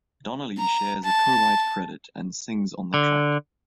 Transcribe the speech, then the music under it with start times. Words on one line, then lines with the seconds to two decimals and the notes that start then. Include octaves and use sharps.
Donelly shares a co-write credit and sings on the track.
0.58 A#5
1.04 A5
2.94 D3